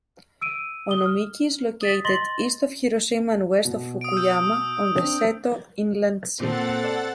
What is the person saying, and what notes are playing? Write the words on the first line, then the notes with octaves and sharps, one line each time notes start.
Onomichi is located east of Hiroshima and west of Fukuyama on the Seto Inland Sea.
E6 D7 D#7
D#6 G7
F6
D#6 A6 B6
D#5 C6 A6 A#6 F#7 G7
B2
D#6 D7
E6 G6
C4 D4
A#2 C4 A4 F#5 A6
D5